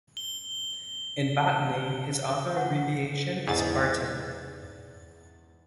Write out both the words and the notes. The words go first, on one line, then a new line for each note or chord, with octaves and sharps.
In botany, his author abbreviation is Barton.
G7
F#5
E2 G#2 A6